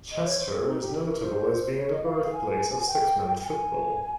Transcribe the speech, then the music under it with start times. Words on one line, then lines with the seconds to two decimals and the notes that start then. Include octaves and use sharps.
Chester is notable as being the birthplace of six-man football.
0.12 D#5
0.25 C#5
0.39 C5
0.53 G#4
0.67 D#4
0.81 G4
1.08 A#4
1.21 C5
1.78 C#5
1.91 D#5
2.05 F5
2.18 F5
2.33 G#5
2.87 G5
3.43 G#5